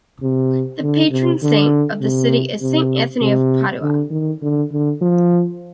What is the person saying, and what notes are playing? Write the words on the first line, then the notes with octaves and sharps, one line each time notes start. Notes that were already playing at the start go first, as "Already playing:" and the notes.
The Patron Saint of the city is Saint Anthony of Padua.
C3
D3
C3
D3
C3
C3
C3
D3
D#3
D3
D3
F3